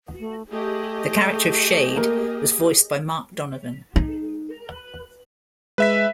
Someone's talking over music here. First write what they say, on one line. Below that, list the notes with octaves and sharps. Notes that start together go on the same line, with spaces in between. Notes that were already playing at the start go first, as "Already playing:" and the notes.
The character of Shayde was voiced by Mark Donovan.
A3
A3 G4 G#4 D#5
A#3 A#4
D#4
G#3 B4 E5 B6